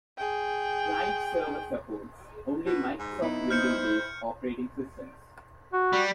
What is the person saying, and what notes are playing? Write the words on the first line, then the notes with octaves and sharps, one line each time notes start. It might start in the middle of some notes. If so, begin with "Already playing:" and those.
Client-server supports only Microsoft Windows-based operating systems.
G#4 G5
B2
G#2
B3 D#4 E4
C5 F6 G6 C#7
F#4
G3